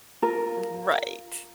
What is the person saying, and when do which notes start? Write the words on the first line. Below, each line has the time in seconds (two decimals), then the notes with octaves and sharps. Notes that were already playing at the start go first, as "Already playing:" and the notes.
R right.
0.22 F4 A#4